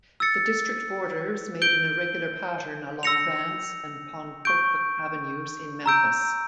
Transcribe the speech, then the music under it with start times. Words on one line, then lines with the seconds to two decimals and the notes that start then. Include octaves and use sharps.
The district borders made an irregular pattern along Vance and Pontotoc Avenues in Memphis.
0.20 E6 A6 C#7
1.62 G6 D7 G7
3.03 E6 A#6 C#7 F7
4.45 C#6 G6 D7
5.86 A#5 E6 G6 D7